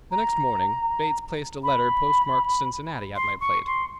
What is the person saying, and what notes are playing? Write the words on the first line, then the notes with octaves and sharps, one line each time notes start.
The next morning Bates placed a letter postmarked Cincinnati at my plate.
A#5
B5
C6
C#6
C6